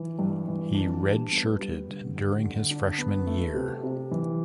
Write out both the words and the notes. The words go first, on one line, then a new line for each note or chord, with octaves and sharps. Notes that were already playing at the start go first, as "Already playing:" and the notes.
He redshirted during his freshman year.
Already playing: E3
G2
E3
D4
G3
B3
G3
D3
D3
D3
D4
B3
A3
C3
C3
E3